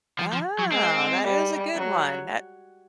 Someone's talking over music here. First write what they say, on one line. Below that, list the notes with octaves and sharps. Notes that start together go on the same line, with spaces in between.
Oh, that is a good one, that
F3
F3
F#3
G#3 C4
G3
F#3